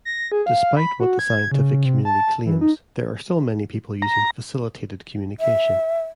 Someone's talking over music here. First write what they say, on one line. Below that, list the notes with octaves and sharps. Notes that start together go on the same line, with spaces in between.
Despite what the scientific community claims, there are still many people using facilitated communication.
A#6
G#4
F5
B5
F#4
G#6
C#3
C3
A5
E3
D#4
A#5
E5